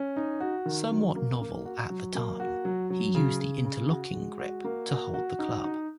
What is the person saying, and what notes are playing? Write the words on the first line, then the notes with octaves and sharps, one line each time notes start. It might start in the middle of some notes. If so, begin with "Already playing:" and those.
Somewhat novel at the time, he used the interlocking grip to hold the club.
Already playing: C#4
D#4
F#4
D#3
F#3
A#3
A#3
F#4
F#3
A#3
F#4
F#3
F#3
C#3
C#3
C#3
F#4
G#3
F#4
A#3
F#4
F#4
D#4
D#4